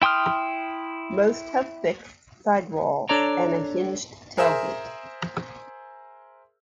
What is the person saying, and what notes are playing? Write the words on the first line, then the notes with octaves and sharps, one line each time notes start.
Most have fixed side walls and a hinged tailgate.
E4 G5 C6 D#6 F6
D4 A4 C#5 D5 A#5
G#4 A#4 C5 E5